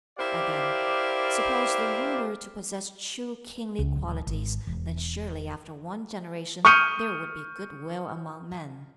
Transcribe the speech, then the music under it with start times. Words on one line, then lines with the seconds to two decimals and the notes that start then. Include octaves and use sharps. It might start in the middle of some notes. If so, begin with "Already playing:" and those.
Again, "Suppose the ruler to possess true kingly qualities, then surely after one generation there would be good-will among men."
0.18 E4 G4 A#4 C5 D5 F5
3.79 C#2
3.96 D1
4.27 G#1
4.67 E1
6.65 C#6 D#6 F6 G6 C#7 D#7